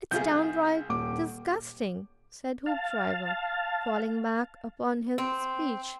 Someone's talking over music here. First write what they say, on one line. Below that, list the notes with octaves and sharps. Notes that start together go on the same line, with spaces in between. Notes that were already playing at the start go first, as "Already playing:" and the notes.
"It's downright disgusting," said Hoopdriver, falling back upon his speech.
C2 F4 G#4 G6
D#1 D6
F5 A5
C4